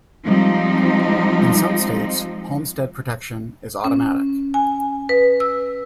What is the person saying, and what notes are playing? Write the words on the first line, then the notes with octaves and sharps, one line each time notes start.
In some states, homestead protection is automatic.
F3 G3 G#3 C4 D#4
C#4
G#5
B4
E6